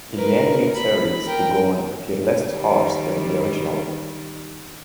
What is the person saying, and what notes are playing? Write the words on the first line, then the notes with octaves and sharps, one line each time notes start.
In the animated series, the Gorn appeared less harsh than in the original.
A#4 B4
B5
A#4 G5
D#3 G3